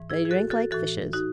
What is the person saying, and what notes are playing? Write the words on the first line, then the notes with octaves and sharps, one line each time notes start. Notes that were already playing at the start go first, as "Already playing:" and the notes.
They drank like fishes.
Already playing: G#2 E3
E4 G#4
G#4
F#4 A4
F#4 A4
A2 E3 F#4 A4
D#4 F#4